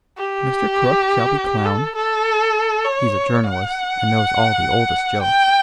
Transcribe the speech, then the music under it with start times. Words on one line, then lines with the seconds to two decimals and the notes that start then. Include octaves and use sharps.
Mr. Crook shall be clown; he's a journalist and knows all the oldest jokes.
0.18 G4
1.66 A4
1.95 A4
2.85 C#5
3.44 F#5
5.22 G5